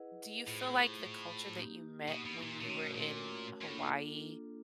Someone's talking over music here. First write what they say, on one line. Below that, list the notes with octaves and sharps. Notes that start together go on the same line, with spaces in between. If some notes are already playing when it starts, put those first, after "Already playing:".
do you feel like the culture that you met when you were in Hawaii,
Already playing: E4 G#4 B4 D#5 F#5
A2 F4 G#4 C5
A#3 D#4 G4
B2
B2
A#2
A#2 A3 C#4 F#4 A#4 C#5
C3
B2
A#2
A#2
A2 A#3 D4 F4 A4